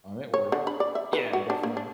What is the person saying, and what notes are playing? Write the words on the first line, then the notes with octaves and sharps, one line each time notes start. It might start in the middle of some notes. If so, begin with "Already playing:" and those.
um, it worked. Yeah, definitely.
C#5
D3
B5
D5
E5
B4
F#4
D4
A#3
D4